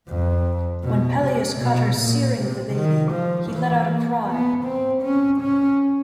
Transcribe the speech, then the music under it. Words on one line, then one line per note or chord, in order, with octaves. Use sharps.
When Peleus caught her searing the baby, he let out a cry.
F2
B2
C3
B2
A#2
C3
D#3
F3
E3
A#3
B3
C4
C#4
C#4